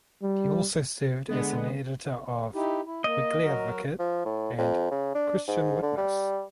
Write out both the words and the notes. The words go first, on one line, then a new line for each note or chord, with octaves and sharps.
He also served as an editor of "Weekly Advocate" and "Christian Witness".
G3
D3 G#3 B3
D#4 E4 G4
E4
A#3 D#5
F#3 F#4 A#4
F3
A2
F2
C#3
D4
G#2
D3
G3